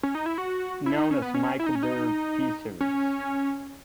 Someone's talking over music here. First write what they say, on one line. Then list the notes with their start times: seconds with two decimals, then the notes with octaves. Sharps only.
Known as Micro Bird T-Series.
0.03 C#4
0.15 D#4
0.26 E4
0.38 F#4
0.86 E4
0.98 D#4
1.11 C#4
1.22 B3
1.34 C#4
1.60 E4
1.66 D#4
1.75 C#4
1.83 D#4
2.81 C#4